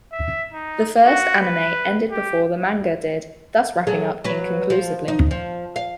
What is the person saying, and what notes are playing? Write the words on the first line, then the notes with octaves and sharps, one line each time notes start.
The first anime ended before the manga did, thus wrapping up inconclusively.
E5
D#4
F#4
B4
G4
F#3 G#4 A4
F#3 B4
F3
D#4
F3
F5